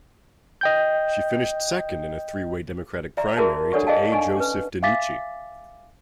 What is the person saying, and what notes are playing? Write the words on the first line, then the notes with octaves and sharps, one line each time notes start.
She finished second in a three way Democratic primary to A. Joseph DeNucci.
D#5 G5 G6
D5 E5 A#5
F#4 G#4 A#4 E5 A5
D4 A4 C#5 D5 F#5 C#6
G#4 D5 D#5 F5 G5 A5
D4 D#4 G#5 C#6
C#4 B4
E5 F5 G#5 D6 A6 B6